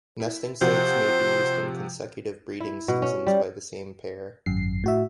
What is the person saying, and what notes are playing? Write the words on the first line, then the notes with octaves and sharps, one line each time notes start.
Nesting sites may be used in consecutive breeding seasons by the same pair.
E4
C3 F3 F#4 C5
E4
B2
C#4
G3
G#1 F#2 C7
A2 F#4 E5